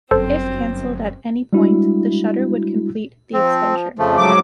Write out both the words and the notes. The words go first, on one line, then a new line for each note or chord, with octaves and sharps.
If cancelled at any point the shutter would complete the exposure.
G1 F#2 C4 A4 C5
G3 G#3 D4 E4 F#4
F3 C4
F2 C#3 F3 A3
G#2 F#3 D6